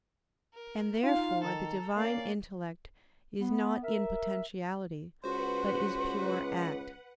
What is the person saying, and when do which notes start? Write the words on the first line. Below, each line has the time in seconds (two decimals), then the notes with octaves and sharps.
And therefore the Divine intellect is not in potentiality, but is pure act.
0.54 A#4
1.03 D#4 F4 F5
1.44 D#3 A4 A#5
1.96 A#3 C#4 D5 C7
3.41 B3
3.84 A#4 E5
5.24 C#2 F#4 B4 C5 F#5 C6